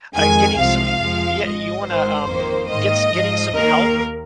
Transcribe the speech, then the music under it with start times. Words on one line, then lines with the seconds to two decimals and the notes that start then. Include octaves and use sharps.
uh, uh, getting some yeah, you wanna, um, get s getting some help
0.14 F2 D#3 G#3 G#5
0.56 C2 C3 F3 G#3 F5
0.99 F2 F3 G#3
1.42 G#1 G#2 G#3 D#5
1.84 G#1 G#2 D#3 C5
2.27 F2 D#3 A#3
2.69 G#2 D#3 A#3 D#5
3.12 G#2 F3 G#3
3.54 D#2 D#3 A#3 A#4